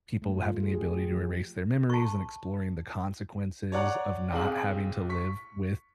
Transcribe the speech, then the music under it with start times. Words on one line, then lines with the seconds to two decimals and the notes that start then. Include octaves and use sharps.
people having the ability to erase their memories and exploring the consequences of not having to live with
0.22 A3
0.42 F4
0.63 G#4
0.75 G4
1.12 F3
1.90 A5 C#6
3.72 C#5 D5 F#5 A#5
4.32 B1 C4 G#4 F5 F#7
5.09 C#6 B6